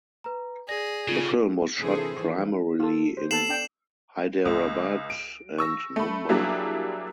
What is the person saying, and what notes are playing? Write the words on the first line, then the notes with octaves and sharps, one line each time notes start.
The film was shot primarily in Hyderabad and Mumbai.
B4 A#5
G#4 D5 A#6
C#3 F4 A4
C3 E3 D4 G#4 A4 C5
E3 F3
F4 A4
C5
B3 A4 A5 C7 E7 F#7
D4 G5
C#2
D7
C#6 E6 A#6
A3 B5
F#3 G3 A#3 D4 E4 G#4